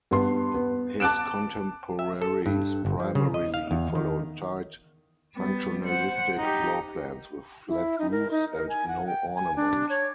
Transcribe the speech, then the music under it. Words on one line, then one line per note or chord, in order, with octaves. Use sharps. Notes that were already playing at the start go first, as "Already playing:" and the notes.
His contemporaries primarily followed tight functionalistic floorplans with flat roofs and no ornament.
G2 B3 C6
B3
A5 D6 F#6 D7 E7
E5
A4
G2
G1
F3
C#3
D#5
F5
E2
D#3
G3 B3
C5 F#5
D#4 G4
E4
D#4
A#4
D#4
A#4
G#5
F#5
G5
G#5
D4
C#5